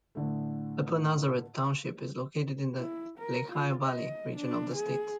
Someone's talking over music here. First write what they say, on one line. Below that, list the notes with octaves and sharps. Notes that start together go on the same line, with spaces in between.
Upper Nazareth Township is located in the Lehigh Valley region of the state.
A2 D3 A3
E4
A#4
F4
D#5
D4
G#4